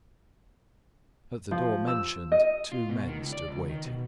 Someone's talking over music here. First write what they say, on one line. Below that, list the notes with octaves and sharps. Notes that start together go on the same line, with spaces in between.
At the door mentioned two men stood waiting.
F3
E6
D#5
F4
B2
D#3
C#2
D5
C#2
D#3
B2